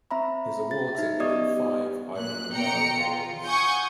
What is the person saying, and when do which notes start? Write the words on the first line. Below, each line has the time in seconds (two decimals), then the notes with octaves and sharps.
His awards include five Ivor Novello Awards.
0.11 C4 E5 A#5 B5
0.71 A6
0.95 D#4 E5
1.20 B3 G4 D5 D#5 D#6 G#6
2.15 A#2 F#6
2.53 B2 G5 A#5 C#7
3.01 F4
3.47 F#5 G#5 C#6 D#6 G6